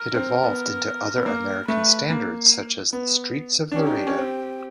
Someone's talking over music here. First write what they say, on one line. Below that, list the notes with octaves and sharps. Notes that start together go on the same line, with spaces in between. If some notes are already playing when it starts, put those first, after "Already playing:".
It evolved into other American standards such as The Streets of Laredo.
Already playing: A#4
C4
B3
B3
A#3 A#4
A3 B4
A#3
B3
D4
C#4 G4
D#4
D4
C#4
C4